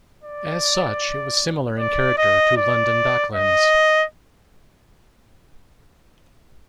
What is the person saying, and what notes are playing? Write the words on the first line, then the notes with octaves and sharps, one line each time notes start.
As such it was similar in character to London Docklands.
D5
D5
D#5
D5
D#5